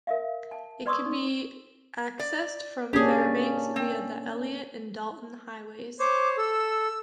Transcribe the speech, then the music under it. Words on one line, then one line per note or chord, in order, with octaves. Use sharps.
It can be accessed from Fairbanks via the Elliott and Dalton highways.
A#4 E5 F5
A5
B4 D5 C6 C#6 D#6 E6
D#4
D5
A#3 C#4 D4 G4 G#4
C4
C5 C#5 D6
A4 E6